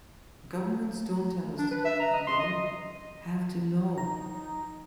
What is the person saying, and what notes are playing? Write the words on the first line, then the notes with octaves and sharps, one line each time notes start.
Governments don't tell us and they "have to know".
D4
B4
E5
A#5
D#5
C6
D#5
D#4 A#5